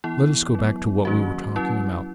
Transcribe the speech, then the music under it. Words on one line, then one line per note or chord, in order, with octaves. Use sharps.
Let us go back to what we were talking about.
E3 B3 E4
F#3 B3
D#3 F#3 A#3 C#4 F#4
F#3 C#4 E4